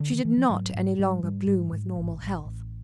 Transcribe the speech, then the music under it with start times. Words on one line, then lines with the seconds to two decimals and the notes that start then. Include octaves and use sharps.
She did not any longer bloom with normal health.
0.00 D3
0.12 D#3
0.25 E3
0.37 F3
0.49 G#2 F#3
0.74 G#2
0.99 G#2 G3
1.23 G#2 G3
1.47 G#2
1.72 G#2
1.96 A1
2.21 A1
2.45 A1